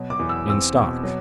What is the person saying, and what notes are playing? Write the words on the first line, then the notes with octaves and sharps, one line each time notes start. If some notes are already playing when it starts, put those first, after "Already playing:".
"In stock?"
Already playing: B2 F#3
D6
E2
E6
C4 E6
B2
F#3